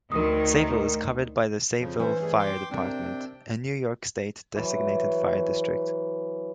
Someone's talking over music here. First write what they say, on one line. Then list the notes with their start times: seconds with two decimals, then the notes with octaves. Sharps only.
Sayville is covered by the Sayville Fire Department, a New York State-designated fire district.
0.12 D2 D#3 A#4 D#6
1.79 F2 C#3 F3
1.99 G2 E3 C#4 C5 G#5
2.21 G3 A3 G#4
2.39 G5 C6 D6
2.71 C3 C4 D4 A#4 G5
4.55 E3 F#3